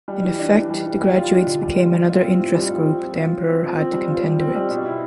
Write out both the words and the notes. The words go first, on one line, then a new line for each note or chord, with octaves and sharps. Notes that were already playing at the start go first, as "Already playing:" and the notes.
In effect the graduates became another interest group the emperor had to contend with.
G3
E3
D4
E3
G3
E3
G3
F4
D4
D3
G3
F4
G3
F4
C4
A2
G3
F4
C4
F3
F4
F3
C4
F3
C4
G3
F4
G3
C4
G3
B2
E4